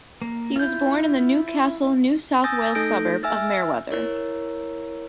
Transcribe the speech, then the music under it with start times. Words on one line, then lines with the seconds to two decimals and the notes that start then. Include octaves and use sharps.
He was born in the Newcastle, New South Wales suburb of Merewether.
0.22 A#3
0.56 E4 F4 G6
2.44 G#5 D#6 E6 G6 A6 A#6
2.75 A3 D#4 A4 G6 A#6 D7
3.23 E5 G#5 E6 F6 A6
3.91 E4 A#4 C#5